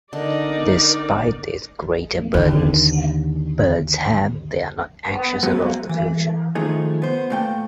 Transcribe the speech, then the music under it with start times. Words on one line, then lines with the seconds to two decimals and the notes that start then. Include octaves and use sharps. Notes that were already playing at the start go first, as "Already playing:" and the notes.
Despite these greater burdens birds have, they are not anxious about the future.
0.13 D3 D#4 A#4 D5 D#5
2.34 D#2 D3
5.43 F#3 G#3 B3 C4 F#4 B4
5.89 E3
6.55 D#3 F3 A3 D#4 G#4
7.02 B3 C5
7.30 A#2 A3 G5